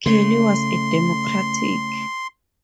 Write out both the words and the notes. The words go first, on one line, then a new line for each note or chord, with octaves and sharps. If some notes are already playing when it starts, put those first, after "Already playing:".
Kelly was a Democrat.
C#3 A3 C6